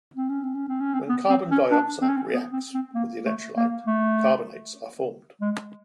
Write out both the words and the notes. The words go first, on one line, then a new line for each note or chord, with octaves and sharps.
When carbon dioxide reacts with the electrolyte carbonates are formed.
C4
C#4
C4
C#4
C4
C#4
C4
B3
C4
C#4
D4
C4
C#4
C4
B3
C4
C4
A#3
A3
A#3
A3
G#3